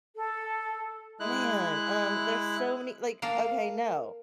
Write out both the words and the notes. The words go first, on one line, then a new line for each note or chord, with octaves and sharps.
man, um, there's so many, like okay, no.
A4
G#3 E4 F#6
A#3 A4 F5